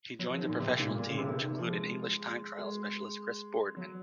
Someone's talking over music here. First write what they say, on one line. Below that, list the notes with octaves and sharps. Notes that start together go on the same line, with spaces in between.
He joined the professional team, which included English time trial specialist Chris Boardman.
F#3
F3
D#3
A#2
C3
A#2
G#2
A#2
A#2
C#3
C3
C3
D#3
F3
G#3
G#3
F#3